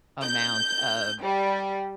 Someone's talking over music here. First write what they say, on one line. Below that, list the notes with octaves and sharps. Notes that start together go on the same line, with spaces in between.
amount of
G6
G3